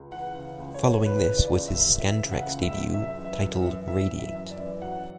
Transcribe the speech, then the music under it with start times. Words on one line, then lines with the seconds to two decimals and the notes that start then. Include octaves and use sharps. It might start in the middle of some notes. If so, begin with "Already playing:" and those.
Following this was his Scantraxx Debut titled "Radiate".
Already playing: C#2
0.11 E3 F#5
0.35 C#3
0.58 C#2
0.74 C#5
0.83 C#2
1.05 E3 B4
1.29 C#3
1.37 D5
1.53 C#2
1.68 E5
1.76 C#2
1.99 E3 E5
2.23 C#3
2.31 F#5
2.47 C#2
2.62 E5
2.70 C#2
2.93 F#2 E5
3.17 E3
3.25 E5
3.41 F#2
3.56 E5
3.64 E3
3.88 F#2 E5
4.12 E3
4.19 E5
4.35 F#2
4.51 D5
4.58 E3
4.82 F#3 F#5